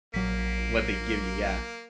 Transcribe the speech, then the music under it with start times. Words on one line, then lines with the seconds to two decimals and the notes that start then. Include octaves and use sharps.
what they give you, yeah.
0.14 A#1 F#3 A#3 B6